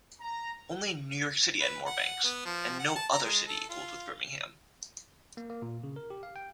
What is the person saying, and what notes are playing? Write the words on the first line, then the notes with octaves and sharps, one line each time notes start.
Only New York City had more banks and no other city equaled with Birmingham.
A#5
B4
F#5
B3
F3
F#5
A5
A#5
G#3
A4
F4
A#3
A#3
A#2
C#3
A#4
G4
F5
G5